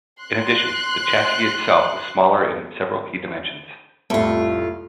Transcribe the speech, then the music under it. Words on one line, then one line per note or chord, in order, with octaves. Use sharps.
In addition, the chassis itself was smaller in several key dimensions.
C6 F#6
C2 F2 A2 A3 F4